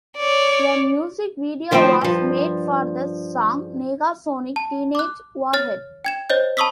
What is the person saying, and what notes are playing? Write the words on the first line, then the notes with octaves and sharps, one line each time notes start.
A music video was made for the song "Negasonic Teenage Warhead".
C#5 D5
D2 D#3 F3 A3 C4 G5
G2 F3
A5
D6 F#6
C#5 F6 A6
G5 G#6 E7
C5 C#5 D#5 G6
A5 B5 C#6 D#6 E6 B6